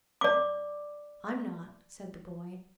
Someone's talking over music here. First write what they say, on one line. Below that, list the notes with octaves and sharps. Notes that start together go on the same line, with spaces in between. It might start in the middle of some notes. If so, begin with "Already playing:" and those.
"I'm not," said the boy.
D5 D6